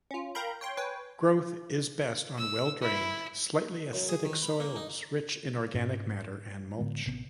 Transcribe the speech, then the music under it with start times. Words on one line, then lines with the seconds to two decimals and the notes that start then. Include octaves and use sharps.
Growth is best on well-drained, slightly acidic soils rich in organic matter and mulch.
0.11 C#4 F4
0.35 A#4 F5 G5 A#5 B5 G6
0.61 C#5 G5 C6
0.77 B4 C#5 G5 G#5
2.38 E6
2.81 E4
3.93 F#2
4.09 G#4
4.25 D#3
4.42 B5
4.60 A#3
4.76 D#4
5.74 G#2 C#4
6.79 A2 D3 G#3 B3
7.06 A1 C3 B3